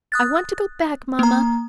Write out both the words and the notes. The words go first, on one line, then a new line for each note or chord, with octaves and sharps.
I want to go back, mamma.
D#6 F#6 A6
A#3 A#5